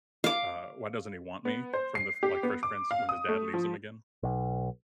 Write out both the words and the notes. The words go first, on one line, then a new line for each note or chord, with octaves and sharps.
uh, Why Doesn't He Want Me from the F like Fresh Prince when his dad leaves him again.
F5 D6
B3
C5
C7
G4
B3
D6
F5
D#6
A3
F3
B1